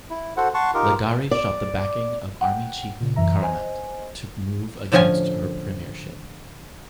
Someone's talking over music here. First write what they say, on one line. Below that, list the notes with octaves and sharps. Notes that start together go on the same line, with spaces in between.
Leghari sought the backing of the Army Chief, Karamat, to move against her premiership.
E4
F#4 A4 C5 F#5
F#5 A5 C6 C#6
D#4 F4 G4 A#4
D5
F#5 G5
A#2 C#3
F#2 E3 E5 A#5
C5 D#5 G#5
A2 D3 F3 C#4 F4 G#5